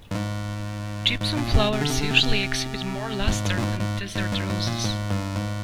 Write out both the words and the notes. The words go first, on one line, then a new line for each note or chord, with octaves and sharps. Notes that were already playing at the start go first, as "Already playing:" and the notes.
Gypsum flowers usually exhibit more luster than desert roses.
G2
G#2
G#2
A#2
C3
C3
D3
C3
D3
C3
C3
G#2
G2
A#2
G#2
G#2
G#2
G2
G#2
A#2
G#2
G2
G#2